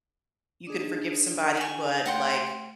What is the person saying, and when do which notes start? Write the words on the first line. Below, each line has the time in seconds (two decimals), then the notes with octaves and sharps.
You can forgive somebody, but, like,
0.67 D4 D#4 G#4
1.57 G#5 C#6
2.06 A3 F#5 G5 C6